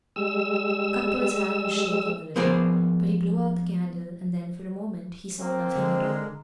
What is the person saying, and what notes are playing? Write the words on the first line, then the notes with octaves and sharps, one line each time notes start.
Cuthbert's hand was shaking a little, but he blew out the candle, and then, for a moment, he saw nothing at all.
G3 G#3 E6
F3 B3 F4 G#4 A#4 D5
A#3 C4
D3 G#3